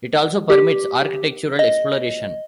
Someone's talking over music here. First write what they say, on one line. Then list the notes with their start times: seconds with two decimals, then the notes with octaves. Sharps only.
It also permits architectural exploration.
0.50 G4
1.59 D#5